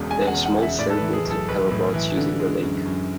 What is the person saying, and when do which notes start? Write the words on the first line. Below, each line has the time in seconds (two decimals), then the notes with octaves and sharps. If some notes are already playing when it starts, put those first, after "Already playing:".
There are small sailboats and paddleboats using the lake.
Already playing: E1 E2 C#3
0.11 G#3 G#5
0.27 F#5
0.34 E2
0.46 F#5
0.56 C#3
0.62 E5
0.79 A2 D5
0.90 A4
0.97 B4
1.02 E3
1.13 G#4
1.25 B1
1.30 A4
1.48 B1 B4
1.71 A2
1.94 E3
2.17 D3
2.40 G#3
2.63 F#2
2.85 F#2